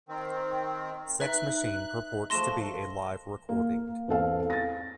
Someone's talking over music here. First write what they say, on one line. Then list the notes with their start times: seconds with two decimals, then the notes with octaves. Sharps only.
"Sex Machine" purports to be a live recording.
0.09 D#3 C4
1.20 D#4 B4 E5 F#6
2.30 F3 A3 A4 C6 A#6 E7
3.49 A#3
4.08 E2 C4 A4 F5
4.50 A6 A#6